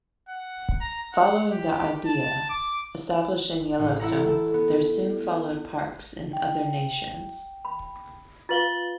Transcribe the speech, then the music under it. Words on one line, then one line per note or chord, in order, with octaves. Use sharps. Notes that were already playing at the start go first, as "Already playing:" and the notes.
Following the idea established in Yellowstone, there soon followed parks in other nations.
F#5
A#5
F#5
G4
A5
D6
A1
E4 A4 F#5 A#5
E4 A4
B3
G5
B5
F4 B4 F5 A6 F#7 G7